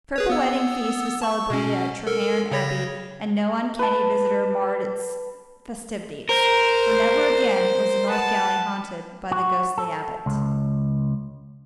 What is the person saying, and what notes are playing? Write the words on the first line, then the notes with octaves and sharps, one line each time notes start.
The triple wedding feast was celebrated at Treherne Abbey, and no uncanny visitor marred its festivities, for never again was the north gallery haunted by the ghostly Abbot.
G#4 B4 C#5
B3 E6
A5 C#6
B2 C#4
A4 A#4
C#3 C#5 A#6
B4 A5
A#4 C5
B4 F#5 A5
F#4
A4
C#2